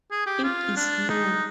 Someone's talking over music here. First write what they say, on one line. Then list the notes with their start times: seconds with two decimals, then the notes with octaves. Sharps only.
It is slow.
0.11 G#4
0.26 G4
0.44 F4
0.77 D4
1.09 D#4